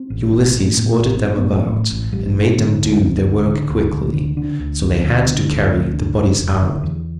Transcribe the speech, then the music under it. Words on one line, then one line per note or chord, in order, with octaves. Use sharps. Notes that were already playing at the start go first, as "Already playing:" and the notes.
Ulysses ordered them about and made them do their work quickly, so they had to carry the bodies out.
Already playing: C4
A1
A1 A3
A2
A2 B3
A1
C4
A1
B3
A2
A2
A1
A1 G3
A2
D3 B3
D2
D2 C4
D3
D3
D2
D2
D3
D3 D4
D2
D2 C4
D3
D3 B3
D2
D2 A3
D3
F1
F1
D3
E2